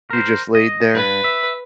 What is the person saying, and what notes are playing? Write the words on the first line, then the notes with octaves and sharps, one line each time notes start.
You just laid there?
A#4 C5
D#5
G2 B4
E5